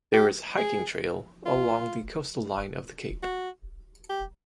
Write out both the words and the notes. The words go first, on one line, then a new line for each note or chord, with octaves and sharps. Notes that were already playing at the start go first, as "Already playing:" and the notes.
There is hiking trail along the coastal line of the cape.
G4
G#4
F4
F#4
G4